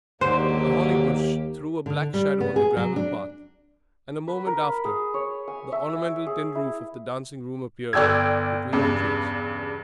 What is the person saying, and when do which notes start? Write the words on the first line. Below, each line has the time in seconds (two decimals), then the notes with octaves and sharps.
A holly bush threw a black shadow on the gravel path and a moment after the ornamental tin roof of the dancing room appeared between the trees.
0.21 D#2 G#2 D3 F#3 A#3 G4 C5
1.86 D3
2.14 G3
2.41 B3
2.56 G#4
2.77 F#3
2.96 D4
4.28 B4
4.46 A#4
4.63 B5
4.84 G#4
5.14 C#5
5.48 G#5
5.72 E5
5.95 G#5
6.26 G#4
6.55 E4
7.93 G1 D5 G5 E6 G#6
8.73 E2 G2 C#3